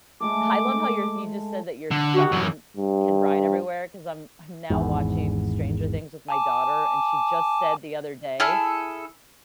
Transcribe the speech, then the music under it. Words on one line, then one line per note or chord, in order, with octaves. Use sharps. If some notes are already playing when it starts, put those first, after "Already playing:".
I love how you're you just said that your son can ride everywhere, because I'm I'm now watching Stranger Things with my daughter, and she just said the other day,
G#3 A3 A4 D6
D3
F#4 G4
F#2 E3
G2
G#1 E2 G#2
G#5 A5 D6
E4 G#4 A4 F6